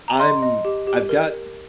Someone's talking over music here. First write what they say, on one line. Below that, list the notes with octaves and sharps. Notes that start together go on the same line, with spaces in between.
I'm I've got
A#5
D#5 C6
D#5
G4
G4
A#4